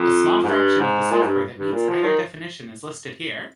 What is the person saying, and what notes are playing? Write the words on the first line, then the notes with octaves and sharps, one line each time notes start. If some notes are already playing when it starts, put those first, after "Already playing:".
A small fraction of the software that meets either definition is listed here.
Already playing: F2
G#2
G2
G#2
A#2
G#2
G2
G2
A#2
F3
D#3